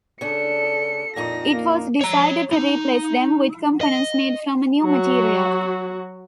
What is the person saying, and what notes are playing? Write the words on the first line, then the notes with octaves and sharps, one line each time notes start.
It was decided to replace them with components made from a new material.
C#3 D4 A4 C#7
F2 A#2 D#4 A#6
A#3
C#5 A#5
D#4
D#5
F#3 F#4